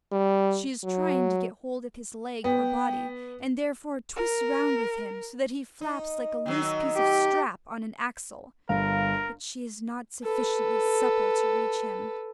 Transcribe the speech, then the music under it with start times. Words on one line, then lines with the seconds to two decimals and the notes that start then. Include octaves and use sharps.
She is trying to get hold of his leg or body, and therefore twists round with him so that he flaps like a loose piece of strap on an axle; but she is not sufficiently supple to reach him.
0.12 G3
0.84 F#3
2.44 B3 G5
4.16 A#4
5.81 D#4
6.46 D#3 F#3 D#4
6.97 G4
8.69 G1 A#4 F5
10.23 A4 B4